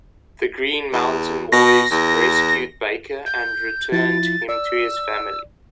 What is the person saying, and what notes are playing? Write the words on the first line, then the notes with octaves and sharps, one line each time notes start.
The Green Mountain Boys rescued Baker and returned him to his family.
E2
B2 A#6
E2
G6
F3 E4 F4 A6
D5 E6